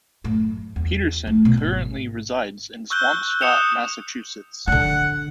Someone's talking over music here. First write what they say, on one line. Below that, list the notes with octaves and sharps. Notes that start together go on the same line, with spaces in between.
Pederson currently resides in Swampscott, Massachusetts.
F#2 A2
E2
A3 E4
B2
G#1
C#6 E6 F#6 G6 G7
D#6 F#6 C#7 E7 F7 G7
D3 D4 F#5